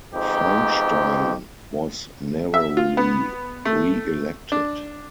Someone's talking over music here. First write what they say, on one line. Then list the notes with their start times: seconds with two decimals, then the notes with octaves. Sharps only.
Feinstein was narrowly re-elected.
0.13 F2 G#2 B3 D#4 G4
2.54 E5
2.77 F4
2.97 B3
3.65 A3
4.52 D4